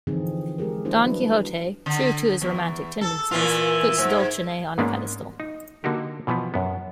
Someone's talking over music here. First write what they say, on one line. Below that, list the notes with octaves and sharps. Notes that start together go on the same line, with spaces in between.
Don Quixote, true to his romantic tendencies, puts Dulcinea on a pedestal.
D3 E3 F3 C4 D#4 G#4
G#3 G4 G#4 A#4
A#3 D4 E4 C5
F#3 G3 D4 F#4 B4
D3
E2
A4
A#2 E3 F4
G#2
G#2 G#3 A#3 B3 C#4 D4
D#4
D3 A#3 D#4 F#4 G4
B2 E3 F3 B3
F#2 B3